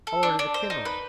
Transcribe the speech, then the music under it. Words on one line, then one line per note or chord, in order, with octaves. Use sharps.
I'll order the kindling!
A4
D4
D4
C5
D#4
B4